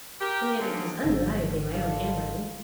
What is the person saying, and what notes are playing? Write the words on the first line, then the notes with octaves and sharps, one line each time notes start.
And yet it is undeniably my own handwriting.
G4 A#4
D3 F3 F#3 B3 C#4 D#4
G#1 D3
A#3 F4 A4